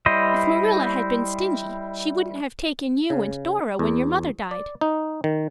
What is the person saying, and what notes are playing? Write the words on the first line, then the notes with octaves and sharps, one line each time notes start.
If Marilla had been stingy she wouldn't have taken you and Dora when your mother died.
G3 E4 C5 D#5
C#3
E2
D5
D#4
D#3